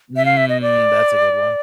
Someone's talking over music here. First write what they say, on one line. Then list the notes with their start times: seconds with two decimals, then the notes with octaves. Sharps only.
Mm. That's a good one.
0.16 E5
0.25 F5
0.37 E5
0.49 D#5
0.62 D5